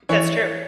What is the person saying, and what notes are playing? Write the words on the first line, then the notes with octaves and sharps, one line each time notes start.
That's true.
E3 C#5